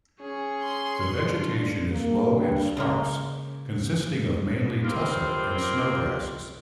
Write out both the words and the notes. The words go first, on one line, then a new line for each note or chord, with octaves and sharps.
The vegetation is low and sparse, consisting of mainly tussock and snow grasses.
C#4 G#4 C#6
C6
D4 F4
A#3
G2
C#3 G#3 A#3
G3 A#3 C4 F4 A#4